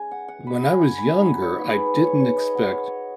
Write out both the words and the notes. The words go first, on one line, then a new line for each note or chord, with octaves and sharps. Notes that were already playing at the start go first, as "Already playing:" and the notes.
When I was younger, I didn't expect,
Already playing: G#3 C#4 G#5
F#5
F#5
B5
G#5
G#5
B5
F#3 D#4
C#5
B4
G#4
B4
C#5
C#5
D#5
F#5
C#5